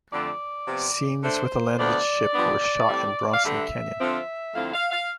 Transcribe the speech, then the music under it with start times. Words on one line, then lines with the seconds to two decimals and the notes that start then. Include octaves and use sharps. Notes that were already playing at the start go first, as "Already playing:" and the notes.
Scenes with the landed ship were shot in Bronson Canyon.
0.12 F2 D3 A3 D5
0.67 C3 F3 B3
1.22 D3 A3 D4 C5
1.78 D2 D3 F3 B3 D5
2.33 G2 F3 B3 D4
2.88 A2 G3 C4
3.32 F5
3.43 G2 D3 A3 E5
3.99 D3 F3 C4 F4
4.55 F2 D3 A3 C4 E4 F5
4.73 F5
4.91 F5